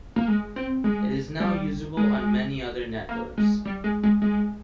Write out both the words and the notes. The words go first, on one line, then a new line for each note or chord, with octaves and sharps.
It is now usable on many other networks.
A#3
G#3
C4
G#3
G3
G#3
A#3
G#3
G3
G#3
G#3
G#3